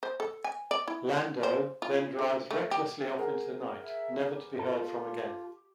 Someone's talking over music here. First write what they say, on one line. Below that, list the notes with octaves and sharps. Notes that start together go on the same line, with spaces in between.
"Lando" then drives recklessly off into the night, never to be heard from again.
C5
A4
G#5
D5
E4
C5
F4
D3
A3
G4
G#4 A#4 F#5
E5
G4 B4
F4 A4